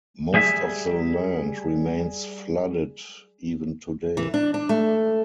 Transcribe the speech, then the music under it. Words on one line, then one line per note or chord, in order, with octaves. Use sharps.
Most of the land remains flooded even today.
G3 G#4 E5
E3
D4
D4
A3